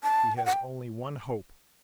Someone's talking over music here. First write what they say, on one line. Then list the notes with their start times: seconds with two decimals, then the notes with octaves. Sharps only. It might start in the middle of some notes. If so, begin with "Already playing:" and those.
He has only one hope.
0.03 A5
0.37 G5
0.46 F#5
0.53 G5